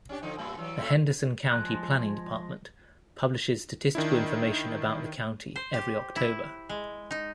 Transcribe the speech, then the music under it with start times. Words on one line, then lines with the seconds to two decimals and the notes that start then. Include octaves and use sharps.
The Henderson County Planning Department publishes statistical information about the county every October.
0.09 C#4 D4 G4
0.22 D3 F3 D#4
0.38 A2 G3 B3
0.57 E3 F#3 G3
0.78 A2 C#4 A4
1.52 F3 G#3 F#6
3.95 D#3 D4 E4
5.56 C5
5.74 G4
6.16 E4
6.69 G#3
7.11 D#4